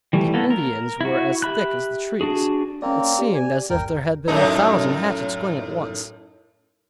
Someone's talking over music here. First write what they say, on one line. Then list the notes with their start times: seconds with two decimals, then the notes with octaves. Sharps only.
The Indians were as thick as the trees: it seemed as if there had been a thousand hatchets going at once.
0.13 E3 G3 A3
0.34 A#3 B3 A4
0.50 A#4
1.01 E4 F#4
1.42 G4 E5 B5 F#6
2.21 D4 F#4 G#4
2.82 A#3 C4 C#4 D5
3.19 G4 D5
3.34 G#5
3.70 A1 E2 G#2 A#4 G5
4.28 F#2 A2 D#4